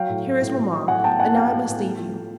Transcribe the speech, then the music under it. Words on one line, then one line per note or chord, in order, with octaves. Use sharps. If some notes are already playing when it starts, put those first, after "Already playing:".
Here is mamma, and now I must leave you.
Already playing: F#3 F5 G5
A2
A2
A2
A2
F#3
A2 F#5 G#5
B3 G5 A5
A2 F#5 G#5
B3 F5 G5
A2
A2
A3
F3
A3